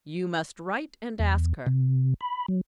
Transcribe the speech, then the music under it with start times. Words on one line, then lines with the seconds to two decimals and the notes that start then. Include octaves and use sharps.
"You must write and ask her."
1.20 E2
1.66 C3
2.21 B5
2.48 F#3